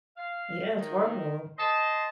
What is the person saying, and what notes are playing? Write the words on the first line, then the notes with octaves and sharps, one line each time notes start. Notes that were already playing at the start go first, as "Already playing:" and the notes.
Yeah, it's horrible.
F5
D#3
C5 D#5 A5